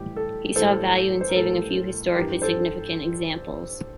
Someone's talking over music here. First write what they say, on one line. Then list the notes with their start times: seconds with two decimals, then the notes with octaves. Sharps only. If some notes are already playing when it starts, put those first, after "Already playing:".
He saw value in saving a few historically significant examples.
Already playing: A2 E3 G3 G4
0.16 A4
0.56 A2 E3 G3 A4 C5
1.21 C5
1.29 A#4
1.35 A2 E3 G3 A4
2.15 G2 E3 G3 G4 A#4
2.42 A4 C5